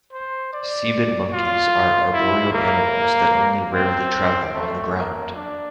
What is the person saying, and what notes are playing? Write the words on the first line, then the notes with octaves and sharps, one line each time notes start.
Cebid monkeys are arboreal animals that only rarely travel on the ground.
C5
D5
F4
E4
A#3
C4
A3
A#3
D4